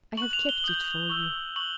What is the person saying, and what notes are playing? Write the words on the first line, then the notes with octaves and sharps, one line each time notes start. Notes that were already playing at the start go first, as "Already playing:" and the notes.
I have kept it for you.
C#6 F#6 F#7
F7
G7
D#6 G6 F#7
C#6 E6 G6
C#6 F#6 F#7